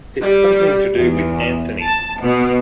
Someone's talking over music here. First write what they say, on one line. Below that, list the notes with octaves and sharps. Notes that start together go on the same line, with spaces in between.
It's something to do with Anthony.
G3
E2
A5
B2